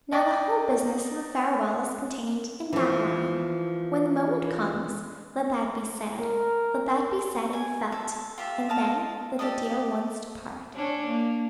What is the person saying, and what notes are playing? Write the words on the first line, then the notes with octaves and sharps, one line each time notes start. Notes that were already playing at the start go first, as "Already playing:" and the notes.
Now the whole business of a farewell is contained in that line. When the moment comes, let that be said; let that be said and felt, and then let the dear ones depart.
D5 D#5 G5 C#6
E3 F3
A#4
G#5
A4
F4 G4 E5
D#5 F5 A5
G4 A4 D5 D#5
C#4 D4
A#3